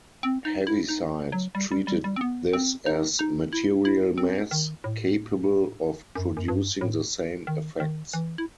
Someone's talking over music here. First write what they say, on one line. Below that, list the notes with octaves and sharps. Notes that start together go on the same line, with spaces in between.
Heaviside treated this as material mass, capable of producing the same effects.
C4
D#4
E4
D#4
F#3
G3
G3
G3
G3
C4
B3
C4
D#4
D#4
E4
E4
C4
D#3
A2
F#2
F#2
G2
A2
D#3
D#3
E3
E4